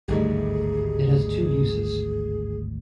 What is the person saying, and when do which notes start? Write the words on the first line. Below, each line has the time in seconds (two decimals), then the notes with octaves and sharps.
It has two uses.
0.08 G#1 D2 G2 G3 A3 D#4 G#4